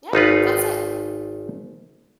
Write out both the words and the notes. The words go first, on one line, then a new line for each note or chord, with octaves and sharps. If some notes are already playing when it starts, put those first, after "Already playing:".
Yeah, that's it.
G#1 D#4 F4 B4